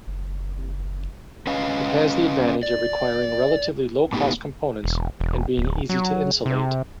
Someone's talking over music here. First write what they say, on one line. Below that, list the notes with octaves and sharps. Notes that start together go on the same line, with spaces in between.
It has the advantage of requiring relatively low-cost components and being easy to insulate.
F#1
C#4 B4 D#5 F5
D5
A2 B3 D#4 G4
E1
E1
D1
F#3
C3